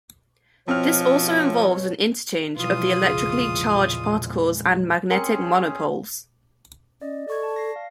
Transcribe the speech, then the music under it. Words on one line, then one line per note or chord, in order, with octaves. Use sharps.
This also involves an interchange of the electrically charged particles and magnetic monopoles.
B2 F3 C4 C#5 F6
B2 E3 F3 G3 F4 D#6
A#1 E2 C#3 G#3 G#4
C4 C#4 G#4 A#4 C#7
C#4 D5 D#5
A4 D5 C#6 G#6
D5 A5
A#6 C7
F5